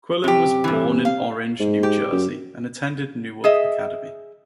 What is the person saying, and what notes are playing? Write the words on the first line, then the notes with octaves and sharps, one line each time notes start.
Quillen was born in Orange, New Jersey, and attended Newark Academy.
F#2 C3 G4
G2 E3
F5
G#2
G4
F#2
G#4 D#5 E5